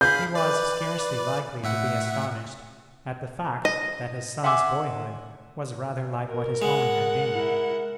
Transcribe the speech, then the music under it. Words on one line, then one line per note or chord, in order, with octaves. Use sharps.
He was scarcely likely to be astonished at the fact that his son's boyhood was rather like what his own had been.
G#4 F5 B5 G6
B4 D5
A2 E5 F#5
D#5
E5 F#5 G#5 C6 D6 E6
A#4
G#3 F#5
E4 A#4